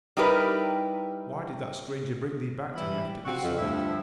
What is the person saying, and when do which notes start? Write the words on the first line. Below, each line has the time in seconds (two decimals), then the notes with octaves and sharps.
Why did that stranger bring thee back to me after this sort?
0.17 G3 D#4 E4 G4 A#4 B4
2.75 E3 G3 E4
3.25 F3 C4 F4 F#4
3.42 F2
3.58 D2 G2 F3 A3 E4 E5